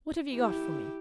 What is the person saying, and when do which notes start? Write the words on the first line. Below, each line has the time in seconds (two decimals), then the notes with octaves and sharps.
What have you got for me?'
0.33 E4 G4